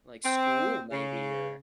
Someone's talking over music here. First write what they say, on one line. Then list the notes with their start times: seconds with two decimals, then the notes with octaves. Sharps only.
Like, school maybe or
0.24 C4
0.91 C#3